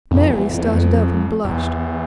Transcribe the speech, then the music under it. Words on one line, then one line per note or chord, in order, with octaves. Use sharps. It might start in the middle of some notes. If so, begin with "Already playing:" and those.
Mary started up and blushed.
F2
E2
F2
E2
F2
E2